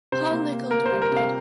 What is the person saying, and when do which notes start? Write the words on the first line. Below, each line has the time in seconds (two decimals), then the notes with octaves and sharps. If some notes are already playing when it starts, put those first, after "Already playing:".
Paul Nickell directed.
0.12 C3 C5
0.31 A#3
0.52 A#3
0.71 A#3 A#4
0.86 C5
0.92 G3
1.02 A#4
1.12 C3 F5